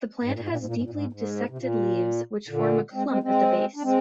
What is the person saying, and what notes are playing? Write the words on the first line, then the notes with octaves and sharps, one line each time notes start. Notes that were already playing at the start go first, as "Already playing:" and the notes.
The plant has deeply dissected leaves which form a clump at the base.
G#2
A#2
G#2
A#2
G#2
A#2
G#2
A#2
G#2
G#2
C3
A#2
A#2 D3
G#3 C4
G#3 C4
G#3 C4
D4
G#3 C4